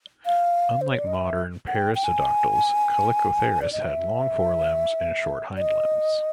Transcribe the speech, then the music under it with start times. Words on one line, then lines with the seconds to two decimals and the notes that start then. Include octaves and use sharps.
Unlike modern perissodactyls, chalicotheres had long forelimbs and short hind limbs.
0.26 F5
0.81 C5
0.89 C#5
0.99 D5
1.07 D#5
1.15 E5
1.67 F#5
1.75 G5
1.95 G5
2.04 G#5
3.62 D5
3.72 D#5
3.83 E5
5.57 D5
5.61 D#5